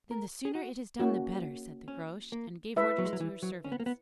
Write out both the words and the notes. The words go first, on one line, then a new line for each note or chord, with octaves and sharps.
'Then the sooner it is done the better,' said the Groac'h, and gave orders to her servants.
A#4
G#4
F#4
A#3 C#4 E4 F#4
C#4
A#3
G#3 E4 B4 E5
F#3
G#3
F#3
E3
F#3
C#4
B3
A#3
B3